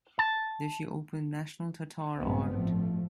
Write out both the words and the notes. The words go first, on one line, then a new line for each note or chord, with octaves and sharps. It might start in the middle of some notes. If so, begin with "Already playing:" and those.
There she opened national Tatar art.
A5
A#1 G2 F#3 G#3 B3 C4
A1 F3 A3